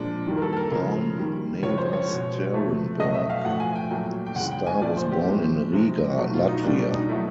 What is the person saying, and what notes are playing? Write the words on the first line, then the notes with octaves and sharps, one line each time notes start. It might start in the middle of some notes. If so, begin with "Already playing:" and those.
Born Nava Sterenberg, Starr was born in Riga, Latvia.
Already playing: A#2 F3 G#3 D4
D#3 G3 A#3
A#4
A4
A4
A#4
C#3 F3 G#3 A#4
D#3 G3 A#3
C#3 F3 G#3 C#5
C5
C#5
B2 G#3
C3 F3 A3
B2 F#3 A3 D#5
E5
F5
A2 F3 A3 F#5
G#5
G5
A#2 F#3 A3 G5
G5
C#3 E3 G#3 F#5
G5
G#5
A#2 F3 A3 D5
C5
G4
A2 F3 G#3
C3 F3 G#3
B2 F#3 A3
F4
D#4
B2 G3 A#3 D4
D4
D#4
B2 F#3 A3 E4